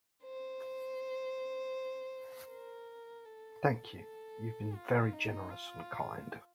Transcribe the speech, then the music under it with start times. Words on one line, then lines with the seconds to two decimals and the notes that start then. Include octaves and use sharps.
Thank you, you've been very generous and kind!
0.24 C5
2.49 A#4
3.25 A4
3.99 A4
4.75 F4
5.13 D#4
5.50 F4